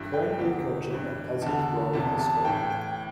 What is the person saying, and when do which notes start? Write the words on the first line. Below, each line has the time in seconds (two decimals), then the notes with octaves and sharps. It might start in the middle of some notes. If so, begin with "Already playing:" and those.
Currently coaching at Pleasant Grove High School.
Already playing: G2 E3 E5
0.13 G5
0.39 E2 D3
0.91 G2 E3
1.42 E2 D3 A5
1.93 E2 C3 E3 A5
2.19 A5
2.45 A2 E3 G5
2.70 G5